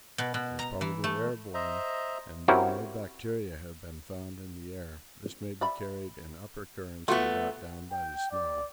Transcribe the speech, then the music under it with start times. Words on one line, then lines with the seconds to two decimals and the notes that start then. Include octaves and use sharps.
It is probably air borne, and though no bacteria have been found in the air, this may be carried in upper currents and brought down by the snow.
0.18 B2
0.34 B2
0.59 A#5
0.81 E3
1.04 A3
1.54 C5 D#5 E5 A#5
2.48 C4 C#4 E4 F#4 G4 A#4
5.61 D5 E5 B5
7.08 A3 B3 F4 F#4
7.92 G5
8.32 D5